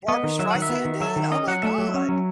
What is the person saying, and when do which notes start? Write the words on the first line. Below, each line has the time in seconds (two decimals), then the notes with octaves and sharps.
Barbara Streisand did? Oh, my God.
0.08 B3 D#5
0.24 D#3
0.39 F#3 E5
0.51 D#3 F#5
0.62 E5
0.69 B3
0.85 D#3
1.00 F#3 E5
1.16 D#3
1.31 C#4 D#5
1.47 F#3 F#5
1.63 A3 E5
1.78 F#3
1.94 C#4
2.09 F#3